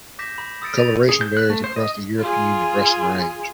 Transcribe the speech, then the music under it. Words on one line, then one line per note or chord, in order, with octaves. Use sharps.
Colouration varies across their European and Russian range.
D6 G6 A#6 B6 E7
B5
D#6 E6 A6 C#7 D7
B5 A6 D#7 F7
G#4
G6
F#6
A3
C5
D#5
F4 G#4